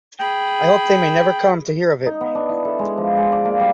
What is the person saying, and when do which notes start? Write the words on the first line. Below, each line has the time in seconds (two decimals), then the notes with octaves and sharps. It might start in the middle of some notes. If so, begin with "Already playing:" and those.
I hope they may never come to hear of it.
0.19 G#4 G5 B5
2.06 D#4
2.21 B3
2.35 D4
2.49 E4
2.65 A4
2.79 G#3
2.97 F3
3.17 G#3
3.32 D5
3.45 A#3
3.60 G3